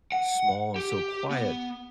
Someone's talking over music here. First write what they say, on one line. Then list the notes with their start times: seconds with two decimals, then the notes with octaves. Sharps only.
small and so quiet,
0.12 F#5
0.76 G4
1.31 B3